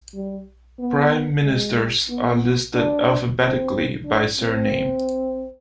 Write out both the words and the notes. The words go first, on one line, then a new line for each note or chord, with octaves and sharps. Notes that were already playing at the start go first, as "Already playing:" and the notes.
Prime Ministers are listed alphabetically by surname.
G3
B3
G#3
B3
D4
C4
D4
C4